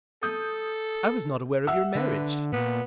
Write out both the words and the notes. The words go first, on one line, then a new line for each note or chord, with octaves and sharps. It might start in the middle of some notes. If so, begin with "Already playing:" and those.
"I was not aware of your marriage."
A4 D#6 G6
E5 F#5 E6
D3 B4
A#2 B3